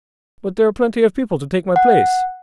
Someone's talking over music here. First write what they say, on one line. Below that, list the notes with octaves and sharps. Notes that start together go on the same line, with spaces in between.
But there are plenty of people to take my place.
F#5